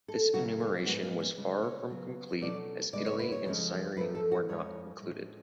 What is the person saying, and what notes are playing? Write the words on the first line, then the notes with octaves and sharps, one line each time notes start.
This enumeration was far from complete as Italy and Cyrene were not included.
A4
C#3 F#3 A3 C#4 F#4
G#4
G#2 G#3 B3 F#4
F4
C#4
C#3 G#3 C#4 D4
C#5
C#3 F#3 B3
B2 F#3 A3 C#4 D5
C#3 G#3 B3 D5
C#5
B4
C#5
F2 C#3 F3 G#3 C#4
F#2 F3 A3 B4
A4
F#4
F2 F3 G#3 C#5
A2 G#3 C#4